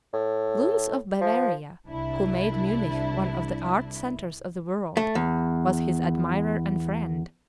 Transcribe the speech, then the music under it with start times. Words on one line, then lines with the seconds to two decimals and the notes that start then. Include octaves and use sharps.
Louis of Bavaria, who made Munich one of the art centres of the world, was his admirer and friend.
0.13 A2
1.21 F3
1.87 C2 D4 E4
4.97 A3
5.15 E2